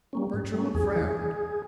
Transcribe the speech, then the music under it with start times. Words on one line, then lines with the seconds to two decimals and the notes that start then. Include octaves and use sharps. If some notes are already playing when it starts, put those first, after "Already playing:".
Bertram frowned.
0.13 G3 A#3 C#4
0.34 G#2
0.54 G3 A#3 C#4
0.74 E2 G#4
0.96 E3